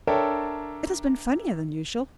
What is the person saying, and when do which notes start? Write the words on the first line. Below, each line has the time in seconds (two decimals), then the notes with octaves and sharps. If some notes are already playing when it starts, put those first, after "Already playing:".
It has been funnier than usual.
0.07 D4 A4 A#4 C#5 E5 G5